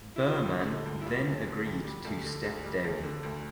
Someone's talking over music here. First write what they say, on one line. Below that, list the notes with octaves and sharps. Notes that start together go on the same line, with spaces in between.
Berman then agreed to step down.
E4
G3 F4
D2
D3
D2
E4
G3 F4
D2
D3
D2
G3
D2
D3
D2
G3
D2
D3
D2